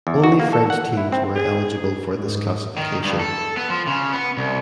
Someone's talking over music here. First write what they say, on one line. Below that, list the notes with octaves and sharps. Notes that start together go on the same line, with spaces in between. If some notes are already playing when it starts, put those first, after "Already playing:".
Only French teams were eligible for this classification.
E2
F#4
A#3
A4
F#5
E4
C4
G#4
G#2
D#3
G2
A4
B3
F3
C#3
B3
C2